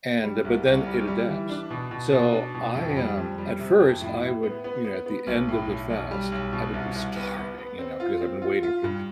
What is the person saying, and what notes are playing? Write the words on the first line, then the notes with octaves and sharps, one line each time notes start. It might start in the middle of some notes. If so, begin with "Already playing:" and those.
and but then it adapts. So I, um at first, I would you know, at the end of the fast, I would be starving, you know, because I've been waiting for
G3
C2
C2
G3
G3
E3
D4
B2
B2
B2
D4
B2
F2
G3
F2
G3
C3
F2
A2
A2
B3
B3
B3
B3
B1
A2
B1
B1
G3
B1
B2
C2
C2
B3
B3
B3
C4
F4
C4
F4
F4
G2